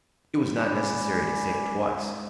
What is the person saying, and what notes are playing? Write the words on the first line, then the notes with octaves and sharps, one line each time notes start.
It was not necessary to say it twice.
G#2 C#3 D5 G#5 B5